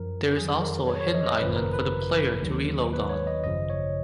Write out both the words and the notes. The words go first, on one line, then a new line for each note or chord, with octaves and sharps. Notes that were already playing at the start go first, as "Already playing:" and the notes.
There is also a hidden island for the player to reload on.
Already playing: F#2 F3 A#4
F2 D#3 F#3 G#4
A#4
C#5
C#5
D#5
D#5
G#1 F#2 C#3 F3 B4
A#4
B4
D#2 D#3 F#3
B4
C#5
D#5
G#1 F#2 C#3 F3 D#5
C#5